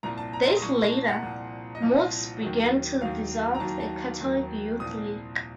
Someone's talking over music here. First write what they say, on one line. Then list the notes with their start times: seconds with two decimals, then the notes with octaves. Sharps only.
Days later, moves began to dissolve the Catholic Youth League.
0.03 C2 A#2 F3 A#5
0.18 A5
0.33 A#5
0.47 C6
0.57 D#6
0.62 C2 A#2 F3 C#6
0.92 A5
1.08 F#5
1.22 C2 A#2 F3
1.75 D#5
1.82 C2 A#2 F3 F5
2.41 D#2 D#3 F#3
3.01 D#2 D#3 F#3 F5
3.55 A#5
3.60 D#2 D#3 F#3 A5
3.80 A5
4.20 D#2 D#3 F#3
4.79 C2 A#2 F3 D#6